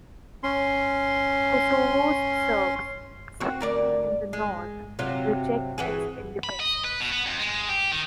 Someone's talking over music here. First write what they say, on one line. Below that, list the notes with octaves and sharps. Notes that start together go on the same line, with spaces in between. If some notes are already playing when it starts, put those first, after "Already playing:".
Kosovo's Serbs, especially in the north, reject its independence.
C#4 C6
C4 F#4
D2 A#4 D5
G#3
C3 F#3 F4
E3 F#4 G#4
B5
D#5
B4
B2
B3
F2
G#3
G4
D#3